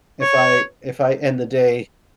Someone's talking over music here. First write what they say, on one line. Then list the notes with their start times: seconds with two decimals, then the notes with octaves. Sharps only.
if I if I end the day
0.22 C#5